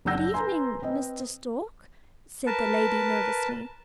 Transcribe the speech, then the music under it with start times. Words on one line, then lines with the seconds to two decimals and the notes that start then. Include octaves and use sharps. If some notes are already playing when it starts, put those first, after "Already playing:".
"Good evening, Mr. Stork," said the lady nervously.
0.05 F#1 D4 F#5 E6 G6 A#6
0.34 B4 G#5 A#5 C6
0.82 C4 B4 D#5
2.47 A#4 B4 A5